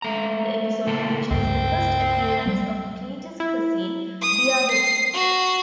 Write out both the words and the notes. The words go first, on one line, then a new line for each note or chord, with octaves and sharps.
The episode features the first appearance of Cletus' cousin Dia-Betty.
G#3 A3 A#5
A2 C#3 A#3 A4 A#4
C#2 G2 C4
F#3 G3 B3
E4
D#6
C7
F#4